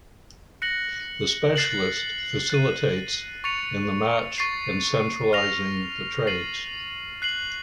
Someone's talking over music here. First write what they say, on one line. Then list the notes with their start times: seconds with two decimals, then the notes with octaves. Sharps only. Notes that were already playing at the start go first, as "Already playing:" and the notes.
The specialist facilitates in the match and centralizing the trades.
0.62 F#6 A#6 C#7 F#7
1.56 F#6 A6 C7 F#7
2.50 F#6 A6 D#7
3.44 C#6 A6 C#7 F7
4.38 C#6 A6 C7
5.33 F6 A#6 F7
6.27 A6 C7 D#7 F#7
7.22 F#6 C7 F#7